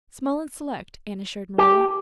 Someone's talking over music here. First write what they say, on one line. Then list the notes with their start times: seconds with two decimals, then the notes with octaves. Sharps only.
"Small and select," Anne assured Marilla.
1.58 G4